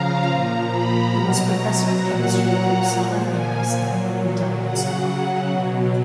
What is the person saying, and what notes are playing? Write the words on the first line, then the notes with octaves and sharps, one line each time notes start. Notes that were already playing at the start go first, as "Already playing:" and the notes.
He was professor of chemistry at Uppsala University, and died in Stockholm.
Already playing: C#3 F3 F5 A#5
A#2 F3 A#5
B5
B2 F#3 A#5
A#2 F#3 F#5
A#5
A#2 F3
G#5
A#2 F#3
C#3 F#3 F#5
F#5
B2 F#3